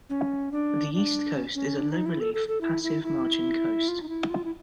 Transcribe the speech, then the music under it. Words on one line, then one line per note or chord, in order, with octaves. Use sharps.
The East Coast is a low-relief, passive margin coast.
C#4
D4
D4
C#4
C#4
D4
D#4
E4
A4
A4
A4
E4
E4
E4
F4
D#4
E4
F4
E4